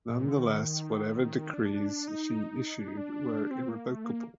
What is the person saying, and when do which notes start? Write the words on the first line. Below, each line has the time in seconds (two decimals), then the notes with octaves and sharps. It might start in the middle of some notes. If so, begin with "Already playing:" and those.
Nonetheless, whatever decrees she issued were irrevocable.
0.10 A#2
0.28 D3
0.37 D#3
0.46 D3
0.55 D#3
1.36 D#3
1.54 D4
2.08 D#4
2.79 D4
2.88 D#4
2.97 D4
3.51 C4
3.69 A#3
3.87 A3
4.05 A#3